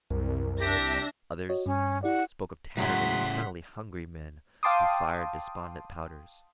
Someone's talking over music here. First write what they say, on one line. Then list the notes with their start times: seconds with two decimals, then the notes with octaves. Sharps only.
Others spoke of tattered and eternally hungry men who fired despondent powders.
0.10 C2 F#2 A#4
0.61 D4 G4 E5 A#6
1.49 F#4 C#5 D#5
1.66 G2 C#4
2.03 E4 G4 D5 F#5
2.77 A2 C#3 F#3 G#3 F#5 C6 B6
4.63 F5 G5 A5 C6 D6 D#6